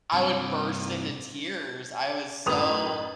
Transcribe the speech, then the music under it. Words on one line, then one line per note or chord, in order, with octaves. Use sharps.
I would burst into tears, I was so
G2 C3
F#2 A2 B4 D#6 F7